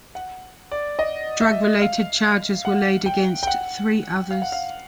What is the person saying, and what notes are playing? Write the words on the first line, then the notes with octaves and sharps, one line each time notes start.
Drug-related charges were laid against three others.
F#5
D5
D#5
E5
F5
F#5
G5
G5
F#5
F5
F#5
F5